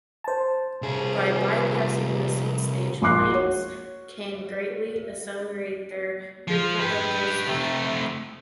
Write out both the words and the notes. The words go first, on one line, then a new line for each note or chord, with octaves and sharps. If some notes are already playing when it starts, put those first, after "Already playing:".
By bypassing the seed stage plants can greatly accelerate their reproductive cycle.
C5 A5
C2 G#4
A#1 A#3 C6 D6 F#6 C7
F#4 C#5
F3
G4 B4
C3 A3